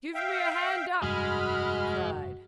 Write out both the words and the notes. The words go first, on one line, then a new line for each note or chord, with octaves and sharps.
"Give me a hand up!" he cried.
E5 F5 G5
F1 G2 G#3 F#4 B5 F6